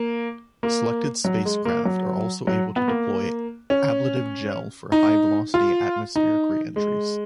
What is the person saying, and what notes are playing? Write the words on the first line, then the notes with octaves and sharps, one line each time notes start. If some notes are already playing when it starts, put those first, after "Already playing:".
Selected spacecraft are also able to deploy ablative gel for high-velocity atmospheric reentries.
Already playing: A#3
A#3
F#3
G#3
A#3
F#3
F#3
B3
A#3
C#4
D#4
F4
D#4
G#3